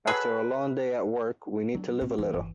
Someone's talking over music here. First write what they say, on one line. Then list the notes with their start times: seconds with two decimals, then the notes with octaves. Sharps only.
After a long day at work, we need to live a little.
0.07 F#3 G#4 A4 B4
1.75 F#3 C4 D4
2.01 A2 C4
2.18 F2 E3
2.34 G1